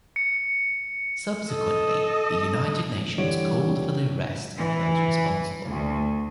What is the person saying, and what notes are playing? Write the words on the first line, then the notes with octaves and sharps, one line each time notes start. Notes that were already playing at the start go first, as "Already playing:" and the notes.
Subsequently, the United Nations called for the arrest of those responsible.
C#7
A4 D#5
D3 E3 G3 C#5 D7
E3
D2